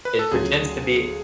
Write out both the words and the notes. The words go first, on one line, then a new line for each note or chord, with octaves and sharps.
it pretends to be
B4
A4
D2 C#3 F#3 C#4 F4 G#4